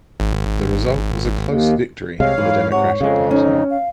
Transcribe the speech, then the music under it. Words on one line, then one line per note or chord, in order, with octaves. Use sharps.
The result was a close victory for the Democratic Party.
G#1
D#2
C2 C3 G#3 C#5 F5
G#2 E3
C3 C#5 F#5
F2 C#3 G#3 F5
C#4 D#4
F5